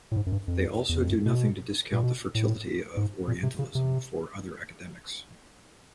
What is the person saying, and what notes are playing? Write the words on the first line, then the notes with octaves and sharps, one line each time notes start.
They also do nothing to discount the fertility of "Orientalism" for other academics.
A2
G#2
F#2
G2
F2
E2
F2
F#2
B2
A#2
B2
A2
G#2
A#2
C3
C#3
C3